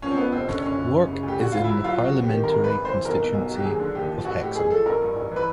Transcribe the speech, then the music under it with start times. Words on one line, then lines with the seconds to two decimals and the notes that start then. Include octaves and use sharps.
Wark is in the parliamentary constituency of Hexham.
0.02 F3 C#4
0.11 C4
0.17 F2 B3
0.32 F1 C4
0.48 D3 C#4
0.62 F#1 C#4
0.77 F#2
0.94 F#1
1.08 C#3
1.23 D2
1.28 G4
1.39 D3 F#4
1.52 D2 F4
1.64 F#3 E4
1.79 E4
1.84 F#3 F4
1.99 C3 F#4
2.14 E2
2.24 G4
2.29 D#3
2.44 G#1 A#4
2.59 G#2
2.64 B4
2.75 G#1
2.85 E3 C5
3.05 B1 A#4
3.19 B2
3.34 B1
3.50 F#3
3.56 G4
3.65 D#2 G#4
3.80 D3
3.95 D#2 G4
4.10 F3
4.25 A1 F#4
4.41 A2 G4
4.55 A1 G#4
4.70 F3 A4
4.86 A1 A#4
5.01 G2
5.16 A1
5.31 E3 B4